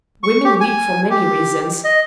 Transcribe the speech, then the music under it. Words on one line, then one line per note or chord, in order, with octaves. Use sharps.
Women weep for many reasons.
C#6
G4
G#5
G4
D#5